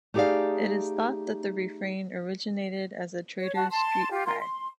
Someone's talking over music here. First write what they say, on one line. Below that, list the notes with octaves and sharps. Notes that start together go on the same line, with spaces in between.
It is thought that the refrain originated as a trader's street cry.
A3 D#4 G4 G#4 D5 F5
C#5
F#4 A5
A5 C6
F4 G4
F4 A#4 C6
C6